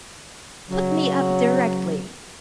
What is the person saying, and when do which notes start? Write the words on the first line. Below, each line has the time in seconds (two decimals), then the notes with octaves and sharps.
"Put me up directly."
0.68 C#3 F#3